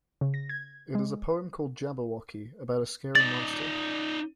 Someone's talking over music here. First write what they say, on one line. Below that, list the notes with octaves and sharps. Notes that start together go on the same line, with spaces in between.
It is a poem called "Jabberwocky" about a scary monster.
C#3
A#6
G#6
G#3
D#4 D5 A6